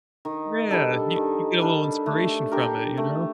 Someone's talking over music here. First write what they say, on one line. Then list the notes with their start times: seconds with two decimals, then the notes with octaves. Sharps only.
Yeah. You you get a little inspiration from it, you know?
0.25 D#3
0.71 G3 D4 A4
1.16 D#3
1.61 G3 D4 A4
2.06 A3
2.52 D4 G4 A#4
2.97 A3